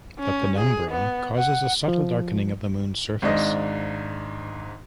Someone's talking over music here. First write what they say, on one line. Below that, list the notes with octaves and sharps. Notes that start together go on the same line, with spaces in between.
The penumbra causes a subtle darkening of the moon's surface.
C#4
G#4
B3
F#5
F3
G#1 G#2 D4 D#5